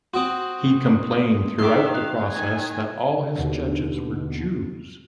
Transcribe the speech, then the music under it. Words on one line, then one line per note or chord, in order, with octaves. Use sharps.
He complained throughout the process that all his judges were Jews.
C4 F#4 C6 D#6 F#7
D#3 E5 C6 D6 G7
F5 F#6 E7
D#3 G#5
D#2 B2 D3